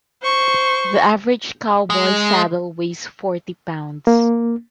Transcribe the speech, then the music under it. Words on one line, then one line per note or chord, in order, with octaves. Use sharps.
The average cowboy saddle weighs forty pounds.
C5 C#6
G#3
A#3